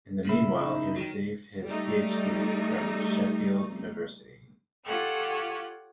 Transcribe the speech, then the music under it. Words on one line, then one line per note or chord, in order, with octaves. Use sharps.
In the meanwhile he received his PhD from Sheffield University.
A#2 C#3 E4
F4
D#4
D#3 F3 F#3
G3 A3 D#4
F4 G4 A4 C#5 F#5 G5